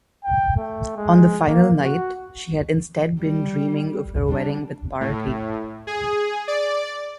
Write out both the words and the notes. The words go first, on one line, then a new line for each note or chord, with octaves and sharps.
On the final night, she had instead been dreaming of her wedding with Barty.
G5
A3
G#3
A#3
F#4
G3
G3 D4
A2
G#4
D5